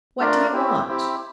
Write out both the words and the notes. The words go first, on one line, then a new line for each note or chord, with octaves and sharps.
"What do you want?"
A3 D4 F4 A#4 D5
C4 E4 G4
C4 E4 G4